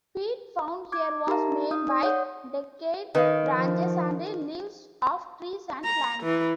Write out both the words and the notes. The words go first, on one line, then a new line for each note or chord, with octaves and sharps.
Peat found here was made by decayed branches and leaves of trees and plants.
D6 G#6
D#4 G4 A#4 E5 A5 A#5
D#4 D#6 G6
D5 D#6
C#5 F#5 G6
D#3 B4 D#5 F5
F3
A#5
E3